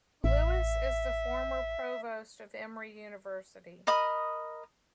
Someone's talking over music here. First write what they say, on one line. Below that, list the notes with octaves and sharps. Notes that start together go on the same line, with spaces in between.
Lewis is the former Provost of Emory University.
A1 E5
A#4 D#5 B5 D#6